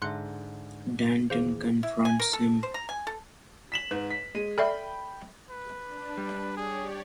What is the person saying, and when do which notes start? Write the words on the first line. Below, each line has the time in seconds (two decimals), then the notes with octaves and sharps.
Danton confronts him.
0.02 G#2 D3 E5 A5 C6 F#6 C#7
1.30 A#1 D#2 E3 G#4 C5 F5
1.83 E4
2.05 G#5
2.19 A#4
2.33 A4
2.63 C5
2.74 A#5
2.89 G#5
3.07 A4
3.72 B6 E7 F#7
3.91 G#2 B4
4.10 B6
4.35 G#3 D#7
4.58 A4 D5 E5 G5 B5
5.50 B4
5.80 D4
6.17 G3
6.57 G4 G#4 C#5 D5